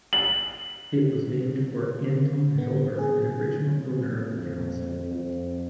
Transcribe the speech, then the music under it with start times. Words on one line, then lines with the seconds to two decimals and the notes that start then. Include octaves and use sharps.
It was named for Anton Halbur, an original owner of the town site.
0.13 F#7
2.58 D3 B3
2.99 G#4
4.30 F2
5.10 F2